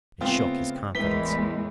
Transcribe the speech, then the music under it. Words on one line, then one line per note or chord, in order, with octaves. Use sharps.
It shook his confidence.
C#3 A3 B3 C4 F4
A1 E2 A2 G#3 A#4 B4 B6 G7